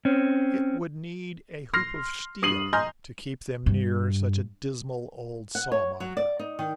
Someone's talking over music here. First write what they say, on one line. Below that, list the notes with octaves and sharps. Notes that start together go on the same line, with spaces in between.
It would need a hoop of steel to keep them near such a dismal old sawmonger.
C4 C#4
C6 F6 A#6 C7
G2 D#6 C7 D#7 F#7
D#5 G#5 A#5 C6 F6 G6
G2
F#5
C#5
F#3
D5
D#4
D#3